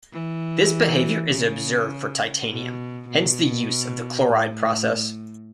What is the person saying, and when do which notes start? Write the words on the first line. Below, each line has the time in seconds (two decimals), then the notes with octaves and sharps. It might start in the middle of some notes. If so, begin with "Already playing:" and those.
This behavior is observed for titanium, hence the use of the chloride process.
0.13 E3
1.31 C#3
2.50 B2
3.09 B2
4.27 A2